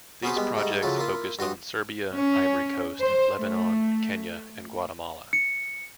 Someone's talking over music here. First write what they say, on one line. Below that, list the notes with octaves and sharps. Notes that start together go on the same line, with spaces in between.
These projects focused on Serbia, Ivory Coast, Lebanon, Kenya and Guatemala.
F#3 B3 C#4 G#4 B4 C5
G3 G#3 B3
G#2 G3 A3 D#4
C#3 F3 F#3 E4 A4
A#3 E4 F4
G2 F#4 C6 D#6
C#4
C5
A3
C#7